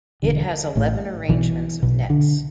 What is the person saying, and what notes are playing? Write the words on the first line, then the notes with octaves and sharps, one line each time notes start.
It has eleven arrangements of nets.
E1 E2 D3
A1 A2
B1 B2 E3
B1 B2
D3